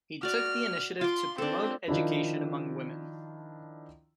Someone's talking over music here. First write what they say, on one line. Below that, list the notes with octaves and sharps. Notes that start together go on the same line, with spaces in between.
He took the initiative to promote education among women.
F#4 D5 F6
F4 C6 D6
C4 D4 A4
D#3 F3 D4 E4